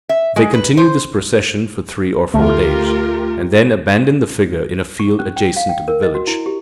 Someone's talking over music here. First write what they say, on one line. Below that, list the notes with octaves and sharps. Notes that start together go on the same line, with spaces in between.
They continue this procession for three or four days, and then abandon the figure in a field adjacent to the village.
E5
G#3
B4
C5
D2 A3 F4 G4 A#4
C#6
C#4
G5
F5
G5
A#4
D#5
F#4
E4
G4